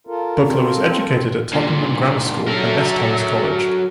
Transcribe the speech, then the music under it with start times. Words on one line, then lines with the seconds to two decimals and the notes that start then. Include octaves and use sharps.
Buckler was educated at Tottenham Grammar School and S Thomas College.
0.07 F4 A4 A#4
0.46 C4
1.53 G2 A#2
2.48 D3 F#3 A4 A#4 E5